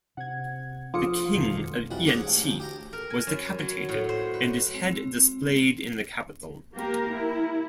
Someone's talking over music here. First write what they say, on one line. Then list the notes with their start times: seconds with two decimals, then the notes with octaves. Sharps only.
The king of Yanqi was decapitated and his head displayed in the capital.
0.17 C3 F#5 G#6
0.94 F3 F4 D6 D#6 C#7
1.34 F2 B2 D3 D#3 G#3 A3
1.91 F2 E3 G3 F#4
2.06 G#2 C#5 F#5 C#6 D6
2.27 A1
2.45 D2 C5
2.60 G4 G5 A#5
2.93 A#4
3.10 G#5
3.27 F#2
3.59 F#3
3.89 A2
4.09 C5
4.34 B4
4.74 G#3 C4
6.75 A#3 G4 A#4
7.13 E4